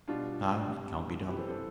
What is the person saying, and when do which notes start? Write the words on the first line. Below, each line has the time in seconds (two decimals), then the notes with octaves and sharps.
Now, it can't be done.
0.08 B2 G3 D4 F4
0.69 C3 G3
1.28 C3 E3 G3 G4 B4
1.38 A4 C5
1.48 A4 C5